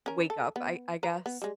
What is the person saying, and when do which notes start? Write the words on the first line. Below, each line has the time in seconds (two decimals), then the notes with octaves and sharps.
wake up, I I guess,
0.06 C#4 A#4
0.30 A4
0.56 B3
1.03 B4 C5 A#5
1.26 B3
1.42 G3 G#3